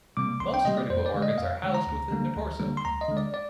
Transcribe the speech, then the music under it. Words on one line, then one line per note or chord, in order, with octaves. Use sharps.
Most critical organs are housed within the torso.
C3 G3 A#3 D6
C2 C6
G5
C3 G3 A#3 D#5
D5
F2 C5
D5
D3 G#3
D#5
F2 F5
D3 G#3
A#5
D2
D3 G3 A#3
D2
D3 G3 A#3
C6
D2 A#5
D#5
D3 G#3
D5
D5